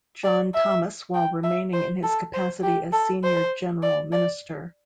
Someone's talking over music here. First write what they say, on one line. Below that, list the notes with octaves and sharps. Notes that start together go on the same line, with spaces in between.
John Thomas, while remaining in his capacity as Senior General Minister.
D5
E5
G5
E5
C5
A4
C5
G4
A4
C5
D5
D5